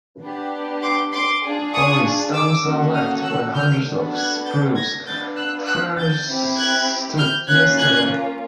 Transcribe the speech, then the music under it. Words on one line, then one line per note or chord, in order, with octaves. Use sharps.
Only stumps are left where hundreds of spruce firs stood yesterday.
B3 D4 G4
C6 D6
C6 D6
D4 F4 G#4
C#6 D#6
D6 E6
A#3 C#4 F#4 A4
D#6 F6
E6 F#6
F6 G6
B3 D4 F#4 A4
F#6 G#6
G6 A6
G#6 A#6
B3 D4 F4 G6 A6
E6 F#6
E6 F#6
G6 A6
C4 E4 G4
F#6 G#6
F6 G6
A#3 C#4 F4 F#6 G#6
F#6 G#6